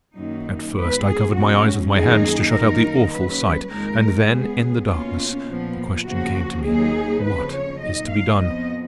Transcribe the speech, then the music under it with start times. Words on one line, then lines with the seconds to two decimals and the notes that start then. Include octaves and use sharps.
At first I covered my eyes with my hands to shut out the awful sight, and then, in the darkness, the question came to me: What is to be done?
0.18 F#2 D#3 A#3 D#4
0.77 G#2 F#3 B3 B4
1.06 G#4
1.35 B2 G#3 C#4 F#4
1.94 F#2 D#3 A#3 D#4 G#4
2.53 F#2 D#3 A#3 D#4 A#4
3.12 C#3 F#3 A#3 C#4 B4
3.70 F2 D#3 G#3 A#4
4.30 C#3 G#3 B3 G#4
4.88 B2 A#3 C#4 F4
5.48 A#2 F3 B3
6.06 C#3 F3 A#3 F#4
6.65 D#2 D#3 F#3 A#3 D#4 G#4
7.24 F2 C#3 F3 B4
7.54 C#5
7.82 A#2 F#3 A#3 D#4 D#5
8.12 F5
8.41 F2 F3 B3 D#5